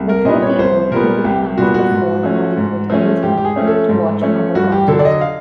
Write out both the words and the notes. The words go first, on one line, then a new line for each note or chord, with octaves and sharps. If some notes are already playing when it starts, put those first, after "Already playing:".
The poor people even can’t afford adequate internet to watch other content.
Already playing: C2
A#4
A#2 G3 B3 D#5
C#5
C2 C5
A#2 G3 B3 A#4
C2 G4
A#2 G3 B3 F#4
F#4
G#2
F3 A3 C#4
G#2
F3 A3 C#4
G#2 G4
G4
G#4
F3 A3 C#4
A4
G#2
F3 A3 C#4
G2 F#4
G4
D3 F#3 A4
D5
D#5
F5